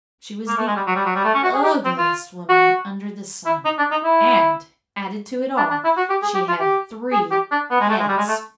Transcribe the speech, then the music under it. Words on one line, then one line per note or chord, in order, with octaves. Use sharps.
She was the ugliest woman under the sun, and, added to it all, she had three heads.
A#3
A3
G#3
G3
F#3
G3
F#3
G3
A3
C#4
F#4
G#4
G4
C4
F4
F#4
E4
D#4
D4
D#4
E4
D4
D4
E4
F#4
G4
G#4
G4
F4
G4
G#4
G4
D4
B3
G#3
A3
G#3
G3
G#3
A3